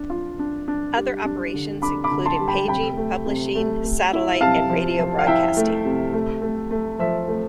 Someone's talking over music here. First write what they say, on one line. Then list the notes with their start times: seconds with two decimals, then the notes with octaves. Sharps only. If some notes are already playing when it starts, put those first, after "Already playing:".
Other operations included paging, publishing, satellite, and radio broadcasting.
Already playing: D4
0.10 F4
0.39 D4
0.68 D4
0.96 G3
1.25 D4
1.54 D3
1.82 D4 B5 D6
2.04 B5 D6
2.11 D3
2.26 A5 C6
2.39 G3
2.48 G5 B5
2.68 C3 G5 B5
2.97 A3
3.26 C3
3.55 A3
3.84 A3
4.13 E4
4.41 C3 F5 A5
4.70 F3
4.99 F3
5.19 F5
5.27 E4 E5 G5
5.57 A3
5.85 C3
6.13 A3
6.42 A3
6.71 A3
6.99 F3 E5
7.28 A3